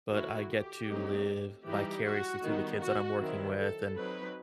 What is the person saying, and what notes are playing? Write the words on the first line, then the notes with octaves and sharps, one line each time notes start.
but I get to live vicariously through the kids that I'm working with and
D#3 A3 E4 F#4
G4
F#3 A3 C4 D#4
E3 G3 D#4 G4
F#4
D#3 G3 B3 D#4
F#4
D#3 F#3 C4 E4
A4
F#3 C4 D#4 B4